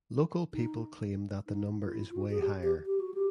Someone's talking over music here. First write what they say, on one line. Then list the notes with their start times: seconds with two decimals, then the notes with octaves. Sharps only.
Local people claim that the number is way higher.
0.53 D#4
1.47 D#4
1.86 F4
1.93 E4
2.12 F4
2.16 F#4
2.31 G#4
2.40 G4
2.63 G4
2.86 G4
3.00 F#4
3.14 G4